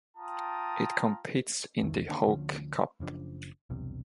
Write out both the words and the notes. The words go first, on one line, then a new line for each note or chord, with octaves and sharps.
It competes in the Hawke Cup.
F4 G5 A5 A#5 D#6
C2 F2 D#3 E3
D3 D#3 A#3 D4
D2 D3 F3 C#4
F#1 C#3 F3 D4
B1 E2 G2 C3